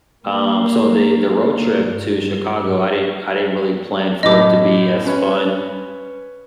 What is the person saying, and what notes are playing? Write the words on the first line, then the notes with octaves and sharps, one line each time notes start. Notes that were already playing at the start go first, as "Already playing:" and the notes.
um, so the the road trip to Chicago, I didn't I didn't really plan for it to be as fun
A#3
G2
F#2 A2 D#5 D6
C#4 B4 C#5